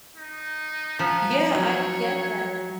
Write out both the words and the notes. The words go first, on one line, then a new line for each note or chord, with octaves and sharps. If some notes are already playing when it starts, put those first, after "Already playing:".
Yeah, I get that.
D#4
F3 B3 A#5
F#3 C#5